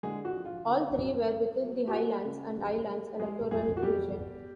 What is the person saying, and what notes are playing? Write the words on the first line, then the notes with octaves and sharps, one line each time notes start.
All three were within the Highlands and Islands electoral region.
D3 G#3 G#4
F#4
F3
F4
D3
F#2
A#3
F#3
G4
A#3 F#4
C#3
G3
G3
G3 G#3 G#4
F2 G#3 G#4
F#4
B2 G3 G4
B3